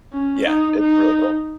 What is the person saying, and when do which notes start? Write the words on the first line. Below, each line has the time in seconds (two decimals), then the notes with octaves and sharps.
Yeah, it's really cool.
0.13 C#4
0.47 D#4
0.79 D#4